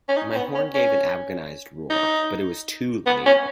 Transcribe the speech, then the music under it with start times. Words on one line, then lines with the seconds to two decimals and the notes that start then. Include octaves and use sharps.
My horn gave an agonised roar, but it was too late.
0.08 C#4
0.17 D#4
0.32 C#4
0.36 B3
0.55 C#4
0.74 C#4
1.90 D#4
3.06 B3
3.26 C#4